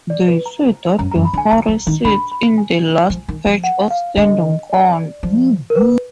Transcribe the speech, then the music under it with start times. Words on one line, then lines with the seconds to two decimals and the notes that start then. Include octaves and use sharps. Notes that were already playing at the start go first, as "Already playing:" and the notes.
They say that the hare sits in the last patch of standing corn.
0.10 D5
0.28 B4
0.46 A#5
0.99 F#2 A#5
1.12 F#2 A#5
1.25 B5
1.33 D3
1.38 G#5
1.51 D#3 A#5
1.68 F3
1.87 D#3
2.05 D3 B5
2.31 B5
2.58 G#5
3.10 F3
3.28 D#3
3.46 F3
3.64 F#5
3.90 F5
4.16 D3 D#5
4.70 D5
5.23 F3
5.70 A#4
5.75 B4